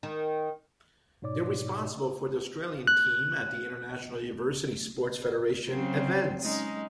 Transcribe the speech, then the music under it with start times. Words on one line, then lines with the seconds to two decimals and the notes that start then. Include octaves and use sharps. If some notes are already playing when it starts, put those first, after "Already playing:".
They are responsible for the Australian team at the International University Sports Federation events.
0.03 D#3
1.22 G#2 B2 D#4 C#5 D5 D6
2.87 F#6
5.69 C#3 F#3 C4
6.41 G#3 C#4 D#4